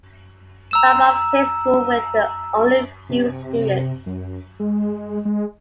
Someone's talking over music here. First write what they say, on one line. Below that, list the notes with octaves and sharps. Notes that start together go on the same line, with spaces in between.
Marlborough State School with only a few students.
A#5 E6 E7
C3
F#2
G#3
G#3